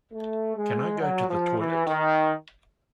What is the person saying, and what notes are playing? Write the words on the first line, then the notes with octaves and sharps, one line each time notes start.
Can I go to the toilet?
A3
G#3
F#3
F3
E3
D#3